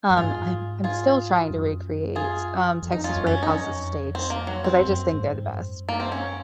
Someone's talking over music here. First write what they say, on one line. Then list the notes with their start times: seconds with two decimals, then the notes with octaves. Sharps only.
um, I'm I'm still trying to recreates, um, Texas Roadhouse's steaks 'cause I just think they're the best.
0.10 F#2
0.17 G#2 F4 G#4
0.84 F4 G#4
1.51 F#2
2.16 F4 G#4
2.83 F2
2.92 D#4
3.04 C#4 F4
3.16 F#2
3.27 C#4
3.43 D#4
3.48 F2 C#4
4.15 C4
4.30 A#3
4.47 F#3
4.64 C4
4.81 F#2
5.14 G#2
5.46 F#2
5.89 A#3
6.00 C4
6.12 C#4